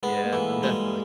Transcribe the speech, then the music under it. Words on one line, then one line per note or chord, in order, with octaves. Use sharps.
Yeah, I'm definitely
G#3 B3
A#3
E3 A3
G3 G#3